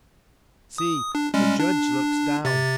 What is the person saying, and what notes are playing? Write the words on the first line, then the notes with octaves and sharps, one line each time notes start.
See! the Judge looks down ...
D#6
D4
G3 G#3 C#4
D4
C3 A6